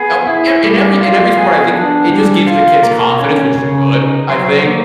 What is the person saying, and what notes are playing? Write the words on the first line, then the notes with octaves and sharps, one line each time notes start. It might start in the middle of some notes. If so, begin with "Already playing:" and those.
up, e in every in every sport, I think it just gives the kids confidence, which is good, I think.
Already playing: B3 G#4
E4
G3
F4
B3 G#4
D4
G3
F4
A#3 A#4
C#4
C#3
D#4
F#3 C5
A#3